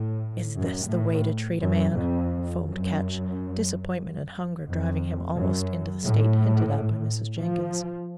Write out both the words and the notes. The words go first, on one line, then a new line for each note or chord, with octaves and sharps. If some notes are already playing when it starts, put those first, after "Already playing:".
"Is this the way to treat a man?" foamed Ketch, disappointment and hunger driving him almost into the state hinted at by Mrs. Jenkins.
Already playing: A2
F#2
A2
F#2
F2
F#2
F2
F#2
A2
F3